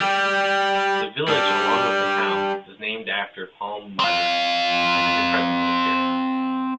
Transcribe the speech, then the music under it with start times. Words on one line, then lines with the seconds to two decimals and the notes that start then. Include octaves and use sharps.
The village, along with the town, is named after Palmyra in present-day Syria.
0.01 G3 G4
1.28 G3 D4
4.00 C4 F5